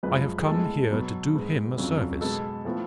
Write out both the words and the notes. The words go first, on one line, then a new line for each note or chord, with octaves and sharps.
I have come here to do him a service.
F#2 F3 G#3 B4
G#4
A2 G#3 B3 A4
B2 F#3 B3
G#2 G#3 B3
F2 C#3 F#3
B2 G#3 B3 A4
A2 F3 B3